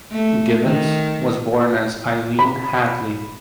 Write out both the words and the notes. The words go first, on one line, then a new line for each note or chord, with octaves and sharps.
Givens was born as Eileen Hadley.
A3
D#3
B5